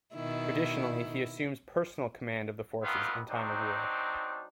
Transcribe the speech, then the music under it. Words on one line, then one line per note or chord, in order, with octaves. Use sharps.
Traditionally, he assumes personal command of the forces in time of war.
B2 D#3 E4
G2 D#3 B3 C4 F4
F#3 C4 D4 D#4